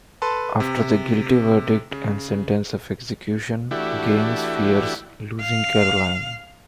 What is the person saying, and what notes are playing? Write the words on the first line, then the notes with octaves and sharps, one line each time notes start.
After the guilty verdict and sentence of execution, Gaines fears losing Caroline.
A4 B4 A5 C6
C3
C#3
E3 A3 D4 E4 F#4 G4
F5